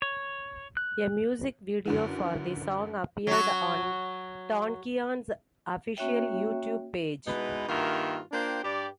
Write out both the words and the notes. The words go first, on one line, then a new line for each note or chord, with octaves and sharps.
A music video for the song appeared on Tankian's official YouTube page.
C#5
F#6
F#2 D3 E3
F#3 F#4
A#3 C#4 F#4 C#5 E5 G5
B2 G#3 B3 D#4 E4 B4
G2 D#3 A#3 F4 F#4 E5
A#3 D4 F4 C5 G5
G2 G4 D5